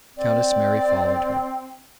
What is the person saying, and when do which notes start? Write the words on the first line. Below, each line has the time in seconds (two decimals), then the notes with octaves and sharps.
Countess Mary followed her.
0.17 C4 D5